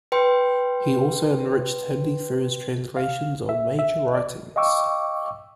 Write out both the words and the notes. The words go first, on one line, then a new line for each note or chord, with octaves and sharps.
He also enriched Hindi through his translations of major writings.
B4 G5 C6
F5
E5
E5
D5
D#5 F5 G5 C#6 D6 E6